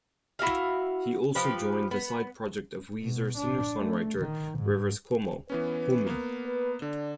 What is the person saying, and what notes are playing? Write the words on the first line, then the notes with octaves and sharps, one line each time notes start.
He also joined the side project of Weezer singer-songwriter Rivers Cuomo, Homie.
E4 F#4 E5 F5
F3 G4 B4
B3
B2
D4
A3
D#3
G#2
E3 B3 C#4 B4
A#3 B3
B4
D3 D4